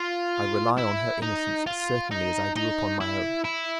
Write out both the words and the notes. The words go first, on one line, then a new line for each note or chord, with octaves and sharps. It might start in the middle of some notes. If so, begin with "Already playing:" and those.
I rely on her innocence as certainly as I do upon my own.
Already playing: F4
E4
D#4
F4
D#4
D#4
E4
E4